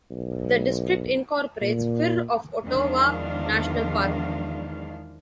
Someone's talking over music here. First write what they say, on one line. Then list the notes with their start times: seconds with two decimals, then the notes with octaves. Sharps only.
The district incorporates Fir of Hotova National Park.
0.11 B1
1.61 A#2
2.64 E2 D#3 F3 G#3 D4 F5